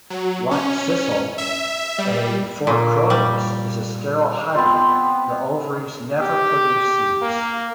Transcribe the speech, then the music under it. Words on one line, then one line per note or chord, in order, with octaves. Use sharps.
Like sisal, "A. fourcroydes" is a sterile hybrid; the ovaries never produce seeds.
F#3
C#4
E5
G3
A#2
G3
B3 C4 F4
G4
A#3